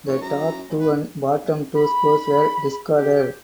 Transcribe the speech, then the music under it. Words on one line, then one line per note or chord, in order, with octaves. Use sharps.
The top two and bottom two scores were discarded.
F1 C#5
F#2 A#5
G#1
B4
B5
G4